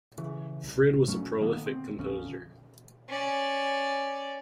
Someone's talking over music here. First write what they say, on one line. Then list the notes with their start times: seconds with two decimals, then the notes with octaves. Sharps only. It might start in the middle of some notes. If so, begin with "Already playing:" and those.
Frid was a prolific composer.
0.18 C#3 E3
0.64 C2
1.07 G2 F#3 A3 C#4
1.41 D3 D#3 A#3 B3
1.66 C4
1.98 A#1 F2 D3 C#4
3.08 C#4 D5